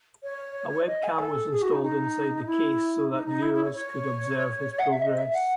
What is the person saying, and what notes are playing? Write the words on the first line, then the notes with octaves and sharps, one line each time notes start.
A webcam was installed inside the case so that viewers could observe his progress.
C#5
D#5
G#5
A4
G#4
F#4
D#4
D#4
E4
D#4
D#4
E4
E4
C#5
C#5
F#5
E5
D#5
E5
F#5